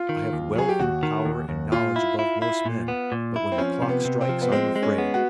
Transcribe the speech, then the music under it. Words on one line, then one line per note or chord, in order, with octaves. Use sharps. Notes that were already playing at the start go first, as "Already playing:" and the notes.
I have wealth and power and knowledge above most men, but when the clock strikes I am afraid.
Already playing: F4
D#3
D#2
F#3 G#4
G4
D#2 F#4
D#3
D#2
D#2
A#2 F4
E4
E4
E4
A#2
B3
A#2
E4
C4
F3 C#4
C3
B3
C3
C4
F3
B3
G#3 C4
G#3
C#4
B3
F#4